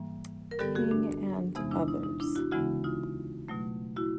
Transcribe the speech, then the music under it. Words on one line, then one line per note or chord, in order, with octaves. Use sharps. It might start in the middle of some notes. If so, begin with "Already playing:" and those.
King and others.
Already playing: G#2 E3 G3 A#3
A#4
G2 D3 G3 B3 G4 A4
F#4 G#4
D4
E2 C3 E3 G#3 B3 D#4
D4 E4
D#4
D#4
D4 E4
E4 F#4
D2 C#3 E3 G#3 B3 E4 F#4
D#4 F4
B2 F#3 A3
E4 F#4